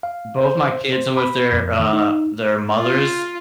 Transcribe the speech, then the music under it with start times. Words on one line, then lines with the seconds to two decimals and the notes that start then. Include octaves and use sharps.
Both my kids are with their, uh, their mothers,
0.03 F5
0.41 C5
0.93 C5
1.17 B5
1.52 F2
1.80 D#3
1.93 D#4
2.80 F4